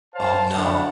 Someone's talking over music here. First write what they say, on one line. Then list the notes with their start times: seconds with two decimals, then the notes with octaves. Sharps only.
Oh, no.
0.15 C5 C#5 F5 A5
0.56 D2 D4 E4 F#5 A5